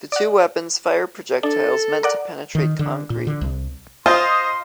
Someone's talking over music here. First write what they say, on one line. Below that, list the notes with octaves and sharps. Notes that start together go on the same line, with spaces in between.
The two weapons fire projectiles meant to penetrate concrete.
D5 F#5
D4 A4
A#4 D5 F#5
D#3
D3
A#2
D3
C2
F4 C5 D#5 C6